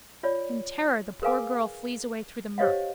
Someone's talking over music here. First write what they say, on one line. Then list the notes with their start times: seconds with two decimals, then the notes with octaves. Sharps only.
In terror the poor girl flees away through the murk.
0.23 F4 C#5 D5
1.22 G#4 A#4 B4 F5 G#5 D6
2.58 G4 C5 C#5 D#5 F5 F#5